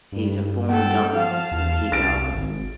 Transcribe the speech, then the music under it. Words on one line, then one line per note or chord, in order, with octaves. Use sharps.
He is a former governor of Hidalgo.
G2
A4 F#5 G5
F3 F5 A5
E2
C2 A6 D7
G#1